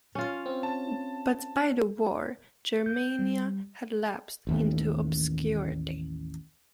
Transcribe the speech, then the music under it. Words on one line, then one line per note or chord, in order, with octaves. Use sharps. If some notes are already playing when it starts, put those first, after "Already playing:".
But by the war, "Germania" had lapsed into obscurity.
C#4 F4
C4
A5
F#6
G6
G3
A1 D#2 A3